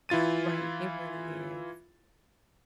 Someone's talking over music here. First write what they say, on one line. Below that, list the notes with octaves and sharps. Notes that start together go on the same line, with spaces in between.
Right, it really is,
E3 E4 F4 A6 D#7